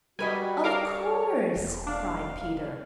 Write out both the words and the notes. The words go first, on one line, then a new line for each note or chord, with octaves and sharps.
"Of course," cried Peter.
G3 F#4 A#4 B4 D#5 G#5
A4 A#4 C#5 F5 G5 A5 D6
E1
D4 F5